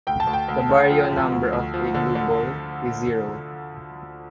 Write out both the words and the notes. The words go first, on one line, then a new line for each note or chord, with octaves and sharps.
The baryon number of a glueball is zero.
D2 G5
A5
D2
G5
D2
D3
F3
F3
D2
D2
F3
D3
D3